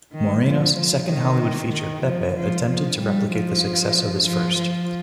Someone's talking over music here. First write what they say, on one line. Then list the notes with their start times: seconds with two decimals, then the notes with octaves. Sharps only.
Moreno's second Hollywood feature, "Pepe", attempted to replicate the success of his first.
0.14 D#3
0.45 F3
0.77 F3
1.09 D#3
1.73 D#3
2.05 F3
2.36 F3
2.69 F3
3.00 G3
3.32 F3
4.27 F3
4.59 F3